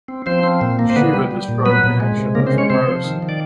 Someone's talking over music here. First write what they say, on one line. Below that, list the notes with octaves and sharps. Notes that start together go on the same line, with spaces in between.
Shiva described the action as piracy.
C4
F3 C4 C5
C4
A#2
A#3
C5
D3 B3 B4
G3
G3
A#2
F#3 B3 B4
A#2
G#3
C3
C#3 A#3 A#4
C4 C5
G#3
C#4 C#5
C3 C4 C5
F3
D#3
D#3
D5